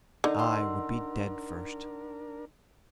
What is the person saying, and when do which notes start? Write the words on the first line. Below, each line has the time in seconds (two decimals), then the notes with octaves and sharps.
I would be dead first!
0.24 D3 D4 D#4 A#4
0.39 F#5 C6 E6